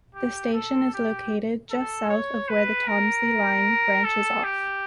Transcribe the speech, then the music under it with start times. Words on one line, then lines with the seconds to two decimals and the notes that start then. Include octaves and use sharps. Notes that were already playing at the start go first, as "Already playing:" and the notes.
The station is located just south of where the Tonsley line branches off.
0.15 G4
0.53 A4
0.93 G4
1.70 A4
2.09 C#5
2.49 B4
2.87 A#4
4.04 A4
4.44 G4